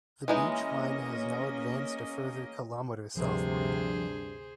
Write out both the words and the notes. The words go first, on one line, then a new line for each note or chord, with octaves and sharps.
The beachline has now advanced a further kilometre southward.
E3 G#3 A#3 C#4 D#4 D#5
D2 G2 C3 F3 G#4 C5